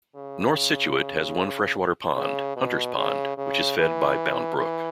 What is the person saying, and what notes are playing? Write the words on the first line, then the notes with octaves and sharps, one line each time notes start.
North Scituate has one freshwater pond, Hunter's Pond, which is fed by Bound Brook.
C#3
C#3
B2
C#3
C#3
E3
E3